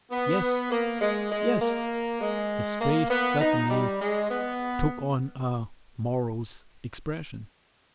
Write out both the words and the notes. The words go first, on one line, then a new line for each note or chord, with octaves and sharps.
"Yes... yes..." His face suddenly took on a morose expression.
B3
A#3
G#3
G#3
A#3
G#3
A#3
B3
D#4
G3
G#3
B3